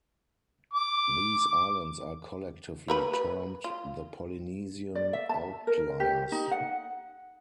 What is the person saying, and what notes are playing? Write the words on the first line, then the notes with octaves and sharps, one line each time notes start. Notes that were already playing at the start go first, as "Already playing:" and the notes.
These islands are collectively termed the Polynesian "outliers".
D6
A3 A#4 B4
B4
F4
D5
E5
A5
A#4
G4
D#4
F#5